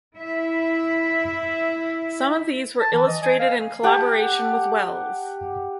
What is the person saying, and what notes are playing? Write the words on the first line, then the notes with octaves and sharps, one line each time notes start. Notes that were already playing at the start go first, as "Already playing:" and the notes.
Some of these were illustrated in collaboration with Wells.
E4 E5
A5
E3
D#5
G#5
F5
G4 F#5 A5